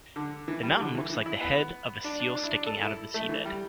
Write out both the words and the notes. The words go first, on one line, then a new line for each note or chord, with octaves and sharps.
The mountain looks like the head of a seal sticking out of the seabed.
D3
E3
G3
D3
E3
E3
E4
B3
D4
D4
D4
E4
D4
A4
E4
A3
E3
G3